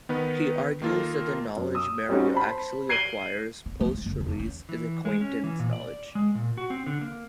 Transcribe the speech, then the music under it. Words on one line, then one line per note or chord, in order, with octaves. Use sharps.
He argues that the knowledge Mary actually acquires post-release is acquaintance knowledge.
D#3 B3 B4
D#3 A#3 F4 A4 A#4
F#2
D#6 E6
G3 C4 C#4 D#4 F#4
C5 A5 B5
G#6 C7 D7 D#7 F#7 G7
B3
F3
G2
F#1
E1
C#4
E3
G#3
C#4
E3
A#2
D5
G#3
A#2
F#4
C4
D3
A#3